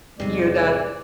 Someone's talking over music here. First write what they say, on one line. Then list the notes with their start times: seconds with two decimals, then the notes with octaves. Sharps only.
year, got
0.20 E2 G#2 C3 G#3 G4 D5 C7